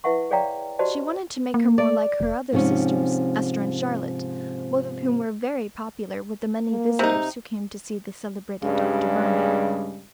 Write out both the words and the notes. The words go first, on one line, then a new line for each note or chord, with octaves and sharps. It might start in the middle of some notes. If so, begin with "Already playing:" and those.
She wanted to make her more like her other sisters, Esther and Charlotte, both of whom were very popular with the many visitors who came to see the celebrated Dr. Burney.
E4 B4 E5 F#5 C#6
G#4 C#5 D5 F5 G5 A#5
F#4 G4 C5 D5 D#5 A5
A#3
D5
F1
G#2 C3 F3 C4 C#4
A#3
C3 D#4
G2 C#3 G3 G#3